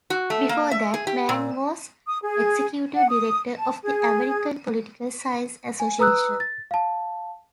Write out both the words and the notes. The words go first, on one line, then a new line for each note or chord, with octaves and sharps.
Before that, Mann was executive director of the American Political Science Association.
F#4
A3
A#3
E5
G#4
G4
A#2
D#6
G#4
F#5
D#6
A5
G#4
G#5
B4 A#5 D#6 E6 F#6
A6
F5 A5